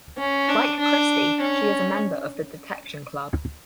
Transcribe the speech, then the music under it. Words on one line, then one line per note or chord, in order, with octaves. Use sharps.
Like Christie, she is a member of the Detection Club.
C#4
D4
D4
C#4